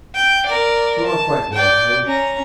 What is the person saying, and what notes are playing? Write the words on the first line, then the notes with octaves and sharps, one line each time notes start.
You are quite well, I hope?
G5
A#4 D5
A5
D5 G5
C#4 A#5